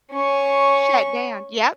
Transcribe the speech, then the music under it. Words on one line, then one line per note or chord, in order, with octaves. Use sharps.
shut down Yep.
C#4 C#6